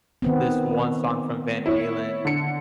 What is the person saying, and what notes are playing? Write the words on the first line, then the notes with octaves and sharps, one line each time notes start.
this one song from Van Halen,
D#3 B3 C4
E4 C#5
D3 C#7